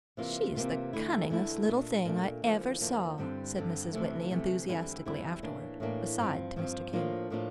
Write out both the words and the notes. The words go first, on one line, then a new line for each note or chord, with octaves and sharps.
"She's the cunningest little thing I ever saw," said Mrs. Whitney, enthusiastically, afterward, aside to Mr. King.
C3 E3 A#3 F4
C3 E3 A#3 F4
E2 D3 A3 E4
E2 D3 A3 E4
A#2 A3 D4
A#2 A3 D4
E2 D3 F3 A#3
E2 D3 F3 A#3
G2 D3 G3 C4
G2 D3 G3 C4
D2 C3 E3 A3
D2 C3 E3 A3
E2 D3 G3 C4 E4
E2 D3 G3 C4 E4
A2 E3 A#3 D4
A2 E3 A#3 D4
G2 F3 C4
G2 F3 C4
A2 F3 A#3 D4 F4
A2 F3 A#3 D4 F4